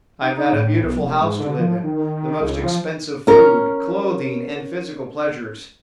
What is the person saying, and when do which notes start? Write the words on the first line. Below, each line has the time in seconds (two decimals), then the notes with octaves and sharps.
I have had a beautiful house to live in, the most expensive food, clothing and physical pleasures.
0.21 D#4
0.53 A2
0.81 B1
1.00 F1
1.21 G#2
1.40 D3
1.58 F3
1.84 D#3
2.41 C#2
2.64 F3
3.27 C#4 A#4